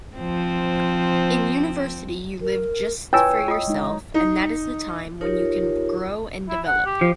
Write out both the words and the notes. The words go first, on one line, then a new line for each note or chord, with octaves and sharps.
In University you live just for yourself, and that is the time, when you can grow and develop.
F3 C4
A#4
E4 F4 B4 C#5 G5 G#5 E6
F4 D#5 D#6
G#3 D#4
D#4
D#4 F4 G4 A#4 C#5
E4
F#5
G4
F3